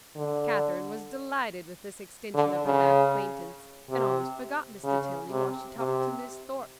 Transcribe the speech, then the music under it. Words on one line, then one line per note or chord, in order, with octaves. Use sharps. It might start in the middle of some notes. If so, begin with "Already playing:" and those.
Catherine was delighted with this extension of her Bath acquaintance, and almost forgot Mr. Tilney while she talked to Miss Thorpe.
D3
D3
C#3
C3
C#3
C3
C3